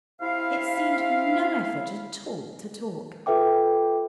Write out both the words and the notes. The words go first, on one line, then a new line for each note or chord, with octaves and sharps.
It seemed no effort at all to talk.
C3 E4 F5
F4 A4 B4 E5 G5 D6